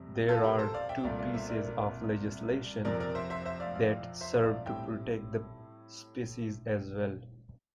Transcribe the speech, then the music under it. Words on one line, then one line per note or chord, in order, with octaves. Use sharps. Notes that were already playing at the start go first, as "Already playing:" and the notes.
There are two pieces of legislation that serve to protect the species as well.
Already playing: F2 C3 G3
F4 A4
G4 A#4
A4 C5
D5 F5
E5 G5
C2 A#2 A3 D5 F5
D5 F5
C5 E5
A#4 D5
F2 C3 F3 A#4 D5
A#4 D5
C5 E5
C5 E5
C5 E5
D5 F5
D5 F5
C5 E5
D5 F5
A2 G3 C4 E5 G5